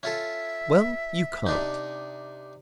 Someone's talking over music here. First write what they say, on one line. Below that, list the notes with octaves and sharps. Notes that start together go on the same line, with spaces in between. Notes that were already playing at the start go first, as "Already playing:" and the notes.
Well, you can't.
C#4 F4 A4 E5
C3 D4 D#4